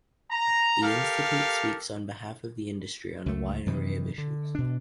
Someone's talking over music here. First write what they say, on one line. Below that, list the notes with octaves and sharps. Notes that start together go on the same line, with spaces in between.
The institute speaks on behalf of the industry on a wide array of issues.
A#5
G4 A4 A#4 F5
C#2 A3
F#2 C3 D#3 E3
D3
B2 D4